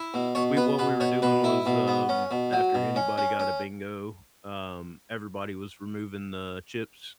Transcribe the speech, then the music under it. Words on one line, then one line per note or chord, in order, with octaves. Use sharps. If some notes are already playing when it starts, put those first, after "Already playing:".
we what we were doing was, um, after anybody got a bingo, um, everybody was removing the chips,
Already playing: E4
B2
B2 C#5
B3 B4
B2 B4
B2 C#5
B2 B4
E4
B2
B3
C#4
B2
F#3
B2
C#4
C#4
C#4